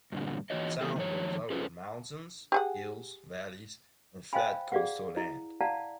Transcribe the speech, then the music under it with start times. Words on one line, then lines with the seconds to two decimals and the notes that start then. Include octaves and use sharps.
The town rolls over mountains, hills, valleys and flat coastal land.
0.12 G2 A#2 D3
0.50 E2 E3 F#4 C#5 D#5
0.81 F2 E3 B3 G4 A4
0.96 D#3 F3 C#5
1.50 C#4 F4 G#4 A4 B4 C5
2.52 G4 G#4 F#5
4.33 C5 D#5 F5 G5 G#5 B5
4.72 G#4 D5 F5 F#5
5.17 E4
5.61 D5 F5 F#5 A5 A#5